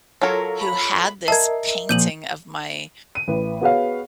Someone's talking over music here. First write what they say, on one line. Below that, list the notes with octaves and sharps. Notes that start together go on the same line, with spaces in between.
who had this painting of my
F#3 F4 A4 A#4 C#5
B5
A#4 D#5 E5 A5 G#6 C7
A#2 F3 G6 D#7 F#7
D#7
A1 B4
B3 F#4 G#4 B4 C#5 F5